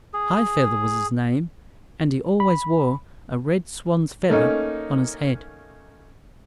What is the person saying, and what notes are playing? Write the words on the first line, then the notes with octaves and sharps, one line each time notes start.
High-feather was his name, and he always wore a red swan's feather on his head.
G#4
B5
A3 A#3 C#4 D#4